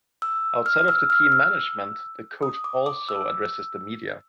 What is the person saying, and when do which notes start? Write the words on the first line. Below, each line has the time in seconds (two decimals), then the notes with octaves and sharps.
Outside of the team management, the coach also addresses the media.
0.22 E6
0.66 F6
0.79 F6
0.88 E6
1.10 F6
1.32 E6
2.43 D#6
2.64 D6
2.86 D6
3.09 E6